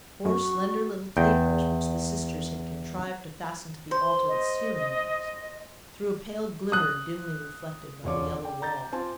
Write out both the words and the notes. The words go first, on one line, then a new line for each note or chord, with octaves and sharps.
Four slender little tapers, which the sisters had contrived to fasten to the altar with sealing-wax, threw a pale glimmer dimly reflected by the yellow wall.
F#2 F#4 C#6
E2 G5
C5
D#5
D#6 F#6
E1 F2 F4 C#5 D5 D6
G5
A#5 G6 A6
C4 F4 G#5 A5